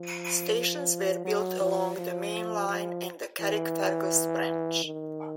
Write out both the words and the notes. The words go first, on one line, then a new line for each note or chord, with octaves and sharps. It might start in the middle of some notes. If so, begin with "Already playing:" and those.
Stations were built along the main line and the Carrickfergus branch.
Already playing: F3
F#3
F3
F3
F3
E3
D#3